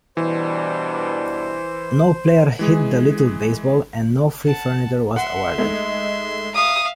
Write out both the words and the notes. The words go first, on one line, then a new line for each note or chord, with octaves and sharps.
No player hit the little baseball, and no free furniture was awarded.
B2 E3 G3 D4 C5
E3 G#3 G#4
F#5 A5
E5 F#5 C6
G#3 A3 D#4
E5 F5 D#6